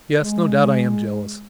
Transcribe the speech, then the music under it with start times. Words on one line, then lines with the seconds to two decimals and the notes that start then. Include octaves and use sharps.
Yes, no doubt I am jealous.
0.22 G#3